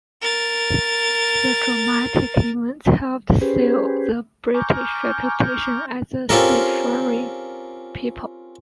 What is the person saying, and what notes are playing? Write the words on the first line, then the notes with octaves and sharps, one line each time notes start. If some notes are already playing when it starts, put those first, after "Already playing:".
The dramatic events helped seal the British reputation as a seafaring people.
A#4 A6
C#4 G4 G#4 B4 C5
G#5 A#5 C#6 D6 F6 G6
C4 C#4 F4 G4 A4 A#4